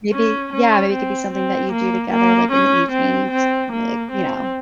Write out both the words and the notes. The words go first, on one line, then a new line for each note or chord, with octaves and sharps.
maybe Yeah, maybe it could be something that you do together, like, in the evenings, like, you know,
C#4
C#4
C4
C4
A#3
A#3
C#4
C4
C4
A#3
C4